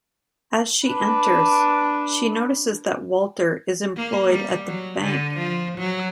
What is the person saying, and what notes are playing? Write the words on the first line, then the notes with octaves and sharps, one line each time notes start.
As she enters, she notices that Walter is employed at the bank.
D4 B4
A#3
G3
F#3
D3
F3
F#3